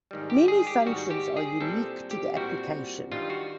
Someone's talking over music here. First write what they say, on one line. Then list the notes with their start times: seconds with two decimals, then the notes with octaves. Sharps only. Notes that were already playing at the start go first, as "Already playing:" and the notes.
Many functions are unique to the application.
0.11 G#2 D#3 G3
0.30 G4
0.48 G#4
0.67 G4
0.86 G#2 D#3 G3 F#4
1.10 G4
1.37 G#4
1.61 A#2 G3 C4 E4 A4
2.11 G4
2.36 A#2 G3 C4 E4 F#4
3.12 G2 D#3 G3 F4
3.30 F#4